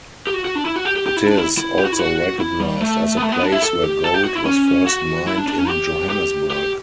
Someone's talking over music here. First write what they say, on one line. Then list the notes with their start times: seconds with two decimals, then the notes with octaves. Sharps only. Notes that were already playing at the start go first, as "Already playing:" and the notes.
It is also recognized as the place where gold was first mined in Johannesburg.
0.27 G4
0.34 F#4
0.45 F#4
0.55 D4
0.65 E4
0.76 F#4
0.85 G4
0.96 G4
1.06 G4
1.17 E4
1.26 D4
1.37 E4
1.58 E4
1.78 G4
1.85 F#4
1.92 E4
1.99 F#4
2.40 E4
2.60 G3
2.81 A3
3.17 B3
3.22 A3
3.32 B3
3.43 D4
3.52 E4
3.62 A4
3.83 G4
4.04 A4
4.14 G4
4.24 F#4
4.35 E4
4.45 C#4
4.86 F#4
5.27 E4
5.37 D4
5.48 D4
5.58 C#4
5.68 G4
6.10 G4
6.50 G4